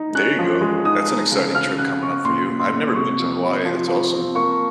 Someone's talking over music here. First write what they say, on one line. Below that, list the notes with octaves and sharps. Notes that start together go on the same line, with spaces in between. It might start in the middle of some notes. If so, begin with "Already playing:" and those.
There you go, that's an exciting trip coming up for you. I've never been to Hawaii, that's awesome.
Already playing: D#4
C#4 F#6
F3
G#3
D#4 D#6
D#4
C#3
C#3 F6
C#3 F#6
C#3 C#6
A#2 C6
A#2
C6
A#2
C3 C#6
F3
C3
F3
F3
C4
A#3 C#6